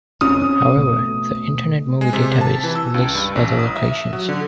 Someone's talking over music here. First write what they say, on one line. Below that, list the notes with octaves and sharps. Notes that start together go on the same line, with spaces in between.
However, the Internet Movie Database lists other locations.
C4 C#4 D#6
B2 A3
G#3
C3
A5
E3
E6
C#2
G2
A1
D#6
E5
F#3
D3